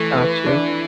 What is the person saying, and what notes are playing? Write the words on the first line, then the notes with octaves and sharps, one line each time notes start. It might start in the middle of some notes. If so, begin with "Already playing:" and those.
Got you.
Already playing: E3 A3
B4
D4